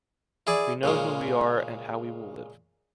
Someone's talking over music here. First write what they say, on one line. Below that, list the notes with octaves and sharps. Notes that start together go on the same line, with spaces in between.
We know who we are and how we will live.
E4 G#4 D5
A#2 C#3 G#3